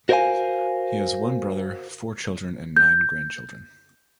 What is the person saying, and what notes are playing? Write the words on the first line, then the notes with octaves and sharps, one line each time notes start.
He has one brother, four children and nine grandchildren.
F#4 A#4 C5 D5 F5 G#5
G6